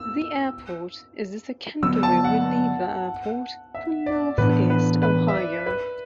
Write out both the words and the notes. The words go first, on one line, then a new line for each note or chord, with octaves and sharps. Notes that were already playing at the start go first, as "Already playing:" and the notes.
The airport is a secondary "reliever" airport for Northeast Ohio.
Already playing: E6
D3 F#3 B3 E6
A5
F#5
E5
D5
A2 E3 B3 D4 B4
B4
B4
E5
D5
B4